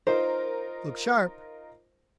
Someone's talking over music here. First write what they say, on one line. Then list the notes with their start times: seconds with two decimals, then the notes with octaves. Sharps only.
Look sharp!
0.07 D#4 F4 A#4 C5